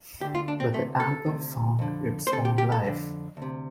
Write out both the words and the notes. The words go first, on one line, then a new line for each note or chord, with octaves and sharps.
But the album found its own life.
D2 D3 G4
F4
D4
C4
D2 C3 A3
A4
D2 C3
F2 D3
C5
D2 C3 A4
G4
G4
A4
F2 D3
D2 C3